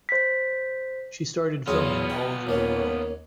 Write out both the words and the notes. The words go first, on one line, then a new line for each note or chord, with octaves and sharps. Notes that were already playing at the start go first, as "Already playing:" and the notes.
She started filming all over the world.
C5 B6
E2 F#3 B3 F4 G#4
G5
D#2 A#3 C#4